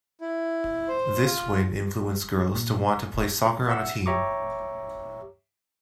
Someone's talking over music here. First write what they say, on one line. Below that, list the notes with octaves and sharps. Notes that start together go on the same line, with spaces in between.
This win influenced girls to want to play soccer on a team.
E4
C5
F4
A#2
E5 F#5 E6
G4 C#5 E5 A#5 C#6 D6